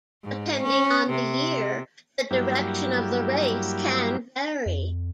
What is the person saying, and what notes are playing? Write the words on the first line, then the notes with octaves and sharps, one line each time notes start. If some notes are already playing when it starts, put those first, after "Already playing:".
Depending on the year, the direction of the race can vary.
G#2
C#4
C3
G2 F#3 A#3 E4 G4
F2